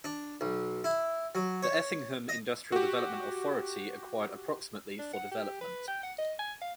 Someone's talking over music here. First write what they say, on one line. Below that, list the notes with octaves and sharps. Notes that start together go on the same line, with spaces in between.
The Effingham Industrial Development Authority acquired approximately for development.
D4
B1
E4
F#3
C#5
D#5
F#4 G4
D4
F#5
G4
B4
G5
F#5
D#5
G#5
F5